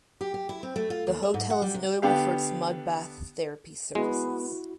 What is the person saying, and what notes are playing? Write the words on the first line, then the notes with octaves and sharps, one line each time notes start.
The hotel is notable for its mud bath therapy services.
G4
G4
E4
C4
A3
F4
D#2
E5
G#2
F#5
G3
C3
D3 B3 G4 F5
G#3 B3 E4 F#4